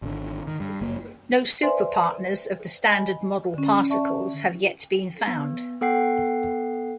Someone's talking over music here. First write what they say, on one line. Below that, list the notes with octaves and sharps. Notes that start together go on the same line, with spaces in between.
No superpartners of the Standard Model particles have yet been found.
G#1 D3
D#3
G2
F#1 A#3
B4 C5 D5 E5 G#5 C6
D#5 G#5 B5
D3 C#4
D5 E5 A5 C#6
B3
B3 A4 F#5 G5 C7